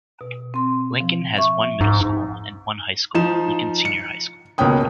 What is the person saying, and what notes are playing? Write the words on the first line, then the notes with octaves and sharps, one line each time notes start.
Lincoln has one Middle School, and one high school, Lincoln Senior High School.
B2
C4 C6
F3
E5 C#6
G#2
F3 D#4 E7
C#7
C#2 B2 A#3 C#4 G5 D#6